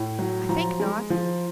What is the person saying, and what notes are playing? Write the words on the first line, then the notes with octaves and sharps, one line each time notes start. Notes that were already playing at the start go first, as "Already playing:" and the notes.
"I think not."
Already playing: A2
F#3
F3 A#5
G#3
F3